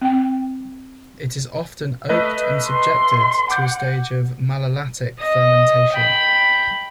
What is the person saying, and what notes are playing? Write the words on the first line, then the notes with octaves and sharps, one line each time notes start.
It is often oaked and subjected to a stage of malolactic fermentation.
C4 G5
A3 B4 D#5
C6
F#5 D6 G6
D#5
G5 B5